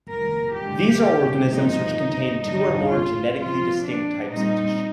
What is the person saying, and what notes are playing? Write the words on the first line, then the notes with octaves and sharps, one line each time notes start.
These are organisms which contain two or more genetically distinct types of tissue.
A#4
D3 G#3 D4 G4
A#2 F3 A#3 D#4
D3 G3 D4 D#4
F4
F3 C4 F4
D4
A#2 G3 C4 D#4